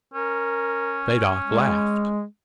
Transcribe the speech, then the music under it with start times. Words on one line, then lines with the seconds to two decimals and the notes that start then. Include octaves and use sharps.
Zadok laughed.
0.14 C#4 A#4
1.45 G#3